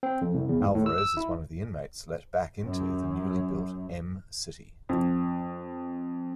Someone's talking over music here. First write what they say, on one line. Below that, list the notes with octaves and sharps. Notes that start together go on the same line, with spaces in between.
Alvarez is one of the inmates let back into the newly built Em City.
C4
F2
C2
E2
G#2
A2
E6
E6
E4
F#2
F2